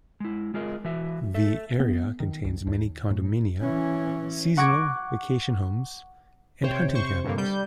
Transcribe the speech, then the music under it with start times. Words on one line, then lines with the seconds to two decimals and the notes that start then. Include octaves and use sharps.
The area contains many condominia, seasonal vacation homes, and hunting cabins.
0.20 G#3 E4
0.54 G#3 F4 G#4 A#4 D#5
0.84 E3 F#4 E5
1.34 A4 E5
1.80 B3
2.20 D#3
2.45 C2
2.67 D#2
3.10 A2
3.62 E3 C#4
4.57 F#5 C#6 D6 G#6 A#6 D7
6.64 C3 C5 C#5 G5
6.95 C5 C#6
7.24 G2 D3 A#3
7.38 G3 G6